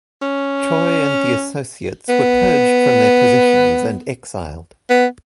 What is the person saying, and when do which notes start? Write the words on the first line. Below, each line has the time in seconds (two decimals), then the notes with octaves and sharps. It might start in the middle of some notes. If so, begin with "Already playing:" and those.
Choe and the associates were purged from their positions and exiled.
0.22 C#4
2.09 B3
4.90 B3